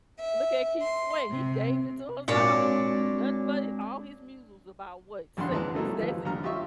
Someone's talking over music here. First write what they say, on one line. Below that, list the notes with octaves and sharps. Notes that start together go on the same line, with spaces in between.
Look at Keith's way, he gave it to us all for nothing but hi all his muses about what, sex. That's it.
E5
C6
C3
A#2 G#3 A#3 C4 D4 F#4 C#5 D5
B1 E2 G2 D3 F#5 C6
D#2 C3 E3 G#3 B4 A5
F#3 G3 A3 A#3 D#4 E4
D#2 F3 B3
D#2 D3 G3 A#5 F6
F4 G4 D#5 E5 C#6